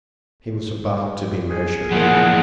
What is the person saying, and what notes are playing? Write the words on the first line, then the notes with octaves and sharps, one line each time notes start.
He was about to be measured.
G#4
E3 F3 A#3 F#5